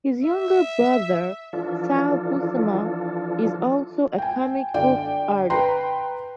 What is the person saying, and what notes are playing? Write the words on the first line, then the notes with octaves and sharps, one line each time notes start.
His younger brother Sal Buscema is also a comic book artist.
E5
E3 F3 D4 F4 A4
G5 G#5
D3 D5 G5
B4 G5 A#5 C6